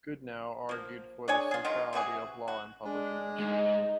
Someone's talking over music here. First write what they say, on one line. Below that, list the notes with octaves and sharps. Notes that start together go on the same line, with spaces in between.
Goodnow argued for the centrality of law in public administration.
F3 A#3
D4 G#4 C#5 G#5
F4 G#4
D#3 F#3 G#3 F4
C3 E3 F#4 G#4
F#4
G#3 D4
G#2 D#4